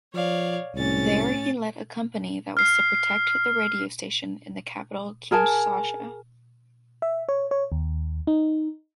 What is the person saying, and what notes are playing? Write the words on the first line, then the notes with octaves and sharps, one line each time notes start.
There he led a company that was to protect the radio station in the capital Kinshasa.
F3 C#5 D5 F5
C2 A2 C#4 A6
F6 C7
G#4 A#4 G#5 A5
E5
C#5
C#5
D#2
D#4